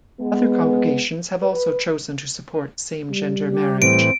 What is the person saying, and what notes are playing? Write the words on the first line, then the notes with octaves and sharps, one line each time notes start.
Other congregations have also chosen to support same-gender marriage.
G#3 B3
B4
G3
G4
A2 E3 C4 D7